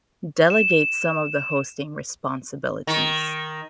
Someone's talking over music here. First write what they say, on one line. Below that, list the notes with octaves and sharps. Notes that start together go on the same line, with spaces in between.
delegate some of the hosting responsibilities.
E7
D#3